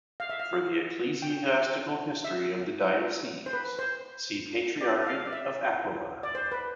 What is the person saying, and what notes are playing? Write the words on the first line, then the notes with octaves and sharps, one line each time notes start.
For the ecclesiastical history of the diocese, see Patriarchate of Aquileia.
F5
E5
F5
G5
E5
C5
B4
C5
D5
F5
D5
E5
D5
C5
B4